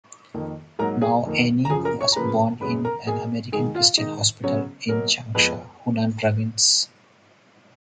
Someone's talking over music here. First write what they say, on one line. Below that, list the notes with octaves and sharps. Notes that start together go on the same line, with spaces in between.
Mao Anying was born in an American Christian hospital in Changsha, Hunan Province.
F2 D#3 A#3
G#2 F#3 A#3 A#4 A#5
G#4 G#5
F2 D#3 A#3
A#5
F#2 C#3 F3 G#4 G#5
A#4 A#5
C#5 C#6
A#5
C#3 F3 A#3 B4 B5
F#2 C#3 G#3 B3 B4 B5
A#4 A#5
B2 A#3 G#4 G#5
G#2 D#3 G#3 G#4 G#5
F4 F5
G#2 D#3 G#3 D#4 D#5
C#3 F#3 B3 C#4 C#5
B2 F#3 A#3 A#4
F2 F3 G#3 B3 B4